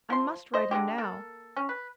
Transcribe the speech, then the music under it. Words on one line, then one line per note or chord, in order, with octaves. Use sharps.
I must ride him now.
F3 C6
C5 D#5
D3 G#3 C4 G4
A#3 A4
C#4
B4